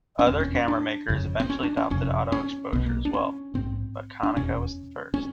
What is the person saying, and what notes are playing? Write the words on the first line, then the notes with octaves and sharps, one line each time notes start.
Other camera makers eventually adopted auto-exposure as well, but Konica was the first.
C#4
F1 E2 B2 C4
C#4
C#4
D4
G1 F2 C#3
C4
C#4
D4
C#4
F#1 F2 C3 C#4
C#4
B1 B2 B3
A#3
D4
C#4
A#1 G#2 C4
D4
F1 E2 B2 C#4
C#4